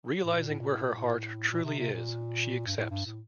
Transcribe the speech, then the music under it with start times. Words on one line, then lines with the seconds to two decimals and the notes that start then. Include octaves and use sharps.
Realizing where her heart truly is, she accepts.
0.25 A2
0.36 A#2
0.48 A2
0.60 A#2
0.72 A2
0.84 A#2
0.96 A2
1.51 A#2
1.64 C3
1.79 C3
1.94 A#2
2.67 G2
2.77 A2
2.91 G2
3.06 A2